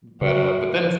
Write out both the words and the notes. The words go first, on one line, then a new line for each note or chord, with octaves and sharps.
M but uh, but then it's
C#3 F#4